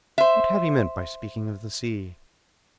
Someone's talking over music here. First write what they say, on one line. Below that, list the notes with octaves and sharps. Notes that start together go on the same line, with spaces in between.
What had he meant by speaking of the sea?...
C5 E5